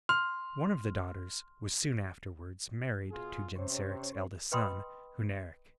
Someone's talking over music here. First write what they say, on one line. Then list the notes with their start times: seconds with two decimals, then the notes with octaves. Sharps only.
One of the daughters was soon afterwards married to Genseric's eldest son, Hunneric.
0.09 C6 F6
3.10 B2 F4 G#4
3.56 C3 C#4 C5 C#5
4.52 B4 D#5 G5 B5 C6 D#6